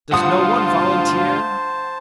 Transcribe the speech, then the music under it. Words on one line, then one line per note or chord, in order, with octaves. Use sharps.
"Does no one volunteer?"
D2 G2 F4 C5 F#5 A5 D#6